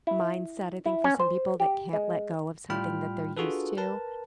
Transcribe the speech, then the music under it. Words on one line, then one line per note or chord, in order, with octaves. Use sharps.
mindset, I think for some people that can't let go of something that they're used to,
E4
E4
C#4
C5
G4
G#3
A2 G3 F4 G5 B5 F6
D4 F4 F#4 G#4 A4 B4
A#4 B4 A5